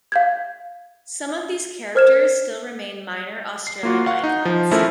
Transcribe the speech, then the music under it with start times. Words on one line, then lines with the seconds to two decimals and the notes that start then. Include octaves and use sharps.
Some of these characters still remain minor Australian icons.
0.12 F5 G6 G#6
1.95 A#4 C5 F6 G#6 E7
3.67 C7
3.83 A#3 F4 F#4
4.06 F5 F#5 C#6
4.23 D#4
4.45 F3
4.71 F3 A3 C#4 E4 A#4